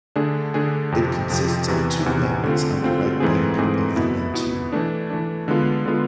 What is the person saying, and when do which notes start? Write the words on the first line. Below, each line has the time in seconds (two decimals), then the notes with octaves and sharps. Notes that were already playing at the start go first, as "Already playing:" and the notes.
It consists of two hamlets on the right bank of the Mentue.
0.16 D3 A3 D4 G#4
0.54 D3 A3 D4 G#4
0.92 F2 C3 F3
1.30 F2 C3 F3
1.68 E2 C3 E3
2.06 E2 C3 E3
2.44 D3 A3 C4 F4
2.82 D3 A3 C4 F4
3.20 G#2 E3 A3 C4 G#4
3.58 G#2 E3 A3 C4 G#4
3.96 B2 B3 E4
4.33 B2 B3 E4
4.72 E3 A3 D4
5.10 E3 A3 D4
5.48 D3 G#3 B3 F4
5.86 D3 G#3 B3 F4